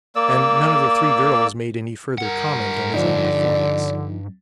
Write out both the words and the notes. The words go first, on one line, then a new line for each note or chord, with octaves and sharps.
And none of the three girls made any further comment on his own performance.
A#3 D5 E6
G2 A#4 F#5
D3 F3 D#4 D5